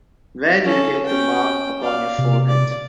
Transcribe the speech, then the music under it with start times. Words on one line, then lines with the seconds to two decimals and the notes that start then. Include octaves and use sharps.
Where did you get the mark upon your forehead?
0.64 C#4 A4
1.06 C#4 G5
1.81 D5 F5
2.18 C3
2.48 D5